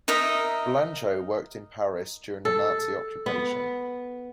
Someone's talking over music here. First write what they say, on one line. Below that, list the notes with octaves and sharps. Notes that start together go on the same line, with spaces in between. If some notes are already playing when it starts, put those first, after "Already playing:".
Blanchot worked in Paris during the Nazi occupation.
D#4 A#4 D#5 E5
A4
B3